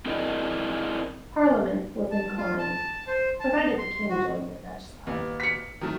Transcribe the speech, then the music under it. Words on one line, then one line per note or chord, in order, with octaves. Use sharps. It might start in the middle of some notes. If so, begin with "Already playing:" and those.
Parliament was inclined, provided the king joined the Dutch side.
C4 E4 G#4 A#4 D5 D#5
A5
F4
A5
C5
A5
C6
F#4
D#2 B3
B6 C#7
D#3 F#3 A3